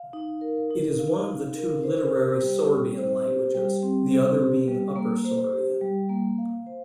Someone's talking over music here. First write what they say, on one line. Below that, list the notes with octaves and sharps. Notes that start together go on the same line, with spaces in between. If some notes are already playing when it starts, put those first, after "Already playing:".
It is one of the two literary Sorbian languages, the other being Upper Sorbian.
Already playing: F5
D#4
A#4
D#4
F5
D#4
A#4
C5
G4
G3
C4
C5
G4
G3
C4
C5
G4
G3
A#3
C5
G4
G3
A#3
F5
C5